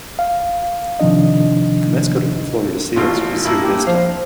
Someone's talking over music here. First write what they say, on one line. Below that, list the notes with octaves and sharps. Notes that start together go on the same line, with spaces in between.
The mascot of the Florida Seals was Sealvester.
F5
C3 D#3 F3 D4 D#5
A1 B2 F4
A2 A#3 E4
G4
F3 F5